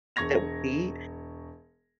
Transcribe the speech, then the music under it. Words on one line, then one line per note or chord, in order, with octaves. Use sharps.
that we need.
E1 C#6 G#6 A#6 F7